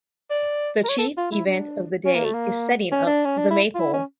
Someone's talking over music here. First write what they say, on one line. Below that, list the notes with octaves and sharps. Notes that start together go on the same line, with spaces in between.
The chief event of the day is setting up the Maypole.
D5
A#4
C#5
A4
F4
E4
D4
C#4
A#3
A3
A#3
C#4
D4
C#4
D4
E4
F4
E4
C#4